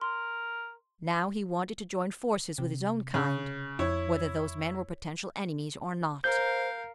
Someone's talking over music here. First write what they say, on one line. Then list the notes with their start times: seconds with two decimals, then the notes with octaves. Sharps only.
Now he wanted to join forces with his own kind, whether those men were potential enemies or not.
0.01 A#4 C6
2.58 C3
3.14 C#3
3.79 F2 E4 C#5
6.24 A#4 C5 F5 G6